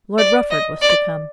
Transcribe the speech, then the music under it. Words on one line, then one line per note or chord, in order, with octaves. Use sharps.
Lord Rufford was to come.
D5
D#5
D5